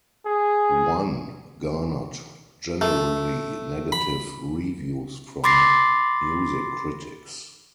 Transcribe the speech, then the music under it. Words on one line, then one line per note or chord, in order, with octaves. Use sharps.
"One" garnered generally negative reviews from music critics.
G#4
A3
B5
B5 C6 D6 A6 A#6 C7